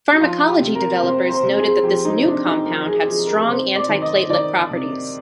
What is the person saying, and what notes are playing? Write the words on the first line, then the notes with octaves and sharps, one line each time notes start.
Pharmacology developers noted that this new compound had strong anti-platelet properties.
D#4
F3 F4
G4
C3
A#4
C3 C5
C5
C3
G#4
F3 G4
D#4
C3 D4
D#4
F3 A#4
G#4
F3 G#4
A#4
C3 C5
D5
D#3
D#5
D#3 D5
C3